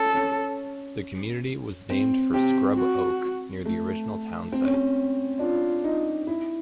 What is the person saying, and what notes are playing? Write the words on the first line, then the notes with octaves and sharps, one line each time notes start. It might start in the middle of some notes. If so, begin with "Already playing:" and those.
The community was named for scrub oak near the original town site.
Already playing: C#4 A4
C#4
C4
C4 G4
F#4
A3
C4
C#4
C4
D4 F4
D#4
E4